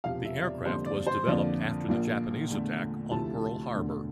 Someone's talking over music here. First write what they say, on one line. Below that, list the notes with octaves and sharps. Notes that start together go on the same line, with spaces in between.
The aircraft was developed after the Japanese attack on Pearl Harbor.
E1 E2 C3 F3 F5
E5
D5
F2 D3 G3 A#3 C5
D5
C5
F2 D3 F3 A#3 F4 D5
A#1 A#2 F3 A#3
E2 D3 A3
D2 C3 F3 A3 E4 A5
E1 D2 D3 A3